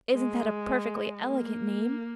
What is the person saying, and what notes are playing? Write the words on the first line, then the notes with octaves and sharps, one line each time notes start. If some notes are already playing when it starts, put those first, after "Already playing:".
Isn't that a perfectly elegant name?
G#3
A#3